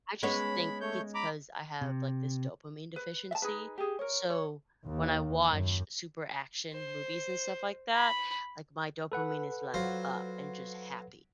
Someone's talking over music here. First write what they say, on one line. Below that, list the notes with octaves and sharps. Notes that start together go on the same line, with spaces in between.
I just think it's 'cause I have, like, this dopamine deficiency, so, when I watch super action movies and stuff like that, like, my dopamine is, like, up, and just happy.
G#3 B3 C#4 B5
A3 C#5 G6
A#5 B5 D6
C3
B4
E5 A5
D#4 G#4 B4
G4 G#4
A#4 C#5
C#5
D#2
F#2
C5
B5
A4 B4 F#5
F#3 F4 C5